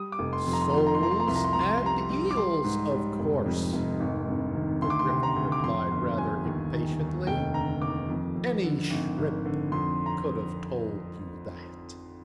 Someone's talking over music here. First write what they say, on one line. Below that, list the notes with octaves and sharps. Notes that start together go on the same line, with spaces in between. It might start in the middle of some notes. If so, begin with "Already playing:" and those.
'Soles and eels, of course,' the Gryphon replied rather impatiently: 'any shrimp could have told you that.'
Already playing: G3 D#6
D6
F1
C6
F2
A#5
C6
A#5
F3 C6
A#5
C6
F3 A#5
C6
A#5
C2 C6
A#5
C6
C2 A#5
C6
A#5
C6
G3 A#5
G3
D6
G3 C6
G#2
G3
F1
F2
F1
G#1
G2
D#3
D2 C6
D6
C6
C3
A#5
D2
D6
F2 C6
G1
G3 G#5
D#2
D#3
D#2
F1 G5
D3 A#5
D#2 D6
F2
F2
D3
G#1
G#1
D3
F2 C6
A#5